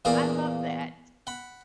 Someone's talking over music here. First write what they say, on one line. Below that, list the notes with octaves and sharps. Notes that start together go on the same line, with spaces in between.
I love that.
E2 A#2 A#3 G#4 D5 F5
F#5 B5